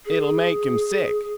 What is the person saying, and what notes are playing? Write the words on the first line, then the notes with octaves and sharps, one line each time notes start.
"It'll make him sick."
G#4